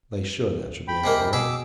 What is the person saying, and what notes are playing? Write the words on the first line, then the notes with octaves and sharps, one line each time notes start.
"They should," answered the engineer.
G5 B5
C3 G#3 A#3
B2 G#4 B5 D6 E6